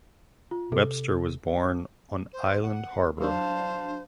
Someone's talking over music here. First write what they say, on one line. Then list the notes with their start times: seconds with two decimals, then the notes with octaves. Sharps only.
Webster was born on Island Harbour.
0.51 F4
0.72 C3 A4
2.33 C5
2.62 F#5
3.20 F#3 D4 C5 F5 A5